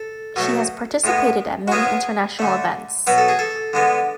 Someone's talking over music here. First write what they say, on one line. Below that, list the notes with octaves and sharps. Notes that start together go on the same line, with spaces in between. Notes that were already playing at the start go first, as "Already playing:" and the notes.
She has participated at many international events.
Already playing: A4
B2 F#3 A3
A2 G#3 B3
F#4
C#3 G#3 B3 G#4
D3 A3
B2 F#3 B3 B4
A4
G#4
A4
D3 G#3 B3